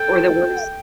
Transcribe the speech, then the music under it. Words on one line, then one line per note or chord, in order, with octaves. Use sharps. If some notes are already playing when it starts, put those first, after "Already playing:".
Or the worst
Already playing: A4 G5